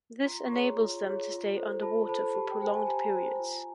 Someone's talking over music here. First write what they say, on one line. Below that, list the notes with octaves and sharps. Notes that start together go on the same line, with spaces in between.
This enables them to stay underwater for prolonged periods.
F4 A#5 C6
C#6
G#4 C#5 A#5 C6
F4
G#4 C#5
F4
A4 C5
F4 A5 B5
A4 C5 A5 B5
G4 A5 B5
G5
C5 G#5
A5
G4 G#5 A#5
C5
F4